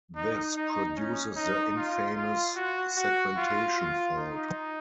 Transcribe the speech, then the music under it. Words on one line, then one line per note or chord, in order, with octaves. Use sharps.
This produces the infamous segmentation fault.
D#4
D#4
C#4
D#4
F4
F4
F#4
F#4
F4
F4
D#4